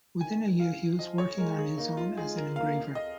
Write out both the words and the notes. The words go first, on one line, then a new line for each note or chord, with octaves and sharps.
Within a year he was working on his own as an engraver.
D#3 G#5
F5
F3 D#5
C#5
G#3 A#4
G#4
A#3 D#4
F4
G#3 G#4
A#4
A#3 F5
D#5